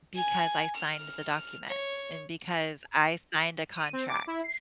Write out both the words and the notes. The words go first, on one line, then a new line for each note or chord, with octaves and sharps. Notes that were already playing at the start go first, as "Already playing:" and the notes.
b because I signed the document and because I signed a contract,
G#5
F6
C#5
D#7
C4
D6
E4
C7